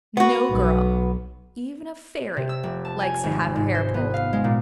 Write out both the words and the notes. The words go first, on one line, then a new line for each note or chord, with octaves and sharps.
No girl, even a fairy, likes to have her hair pulled.
B3 F#4
B1
C3
E6
F1
A5
G#5
G#1
G#2
C5
B3
F5
G#3
A#2